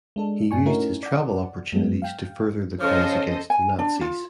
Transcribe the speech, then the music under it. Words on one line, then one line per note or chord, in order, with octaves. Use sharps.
He used his travel opportunities to further the cause against the Nazis.
G#3 D4 A4
G2 A#2 D4 G#5 C#6
A3 C#4 D#4 E4 F#4 A#4
D5 F#5
G2 F#3 G#3 B3
F5 G5
C#3 F3 C#4 A4 C5 C#5 D#5
G#5
D4
F4